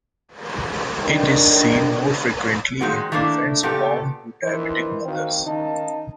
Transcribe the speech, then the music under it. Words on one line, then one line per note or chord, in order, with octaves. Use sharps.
It is seen more frequently in infants born to diabetic mothers.
D#3 D4
A#2 D#3 G#3 C4 F#4
D#3 A3 A#3 D4 E4
A#2 C#3 B3 G4 A4
A#1 D#3 E3 A#4 C5
D#3 C4 F#4 F5
D#3 C#4 D#4 F5 A5